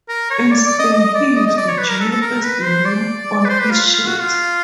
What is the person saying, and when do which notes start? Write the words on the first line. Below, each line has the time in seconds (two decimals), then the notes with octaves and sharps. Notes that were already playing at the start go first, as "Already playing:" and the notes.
In Spain, he used "Gio" as the name on his shirt.
0.09 A#4
0.30 C#5
0.51 D5
0.66 D5
0.79 D#5
0.93 D#5
1.14 D5
1.36 D#5
1.47 D#5
1.57 D5
1.68 C#5
1.78 B4
1.90 A#4
2.01 A4
2.11 A4
2.21 A#4
2.42 B4
2.64 C5
2.85 D5
3.45 B4
3.49 C5
3.60 B4
3.71 F4
3.92 F4
4.06 F#4
4.20 F4